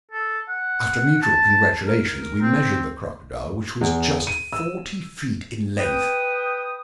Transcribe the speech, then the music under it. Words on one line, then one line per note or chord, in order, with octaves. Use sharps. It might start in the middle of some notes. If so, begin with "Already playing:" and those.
After mutual congratulations, we measured the crocodile, which was just forty feet in length.
A4
F#5
A5
A#4
C4
E2
D#7
E6
B4 G5 D#6